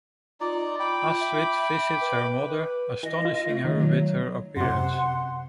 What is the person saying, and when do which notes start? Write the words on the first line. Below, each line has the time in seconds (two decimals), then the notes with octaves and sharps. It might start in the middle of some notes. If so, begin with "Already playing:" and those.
Astrid visits her mother, astonishing her with her appearance.
0.41 D#4 F4 D5
0.80 G5 B5 D6
1.20 E5
2.01 B4
3.03 E3 D#5
3.25 F4
3.48 A3
3.65 D#3
3.78 F#3
4.57 F#2 C3 F#5 C6